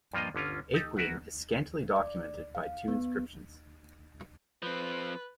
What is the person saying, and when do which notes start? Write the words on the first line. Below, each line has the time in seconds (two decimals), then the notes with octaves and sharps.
Aequian is scantily documented by two inscriptions.
0.13 G2 F3 A#3 F4 D#5
0.35 G1 D3 C#4 F4
0.74 D#4 G4 A4
0.97 F#4 G#4 A#4 B4 E5 F#5
1.96 D5
2.55 F5
2.88 B3
4.62 F3 C4 B4